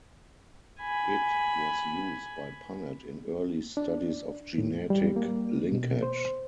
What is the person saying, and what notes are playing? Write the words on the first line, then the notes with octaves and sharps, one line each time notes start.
It was used by Punnett in early studies of genetic linkage.
G#5 B5
D4
A2
G3
A#3
B2
C5